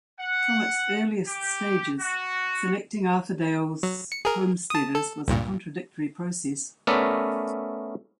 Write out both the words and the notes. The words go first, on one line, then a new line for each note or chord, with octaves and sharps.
From its earliest stages, selecting Arthurdale's homesteaders was a contradictory process.
F#5
G4
F#4
F#3
C#7
G#4 A#4
A5 D#6
A4
C#2 G2 A#2
A3 B3 C#4 A#4 D5 E5